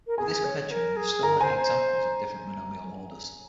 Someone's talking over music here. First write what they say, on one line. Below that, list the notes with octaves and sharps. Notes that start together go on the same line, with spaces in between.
With this convention there are still many examples of different monomial orders.
A#4
G#4 G#5
C#5
A#4
G#4
A#4 A#5
C5 G#5
C5